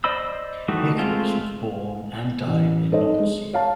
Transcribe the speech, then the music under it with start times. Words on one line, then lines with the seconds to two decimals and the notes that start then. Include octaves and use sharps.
Nicholas was born and died in Nancy.
0.04 C5 D5 D#5 B5 E6
0.68 E3 G3 A3 D#4 F#4
0.98 G#3 A3 C4 F4
2.47 A1
2.92 D#4 A4 C5 C#5 D#5
3.20 G#3
3.53 C#5 F5 A5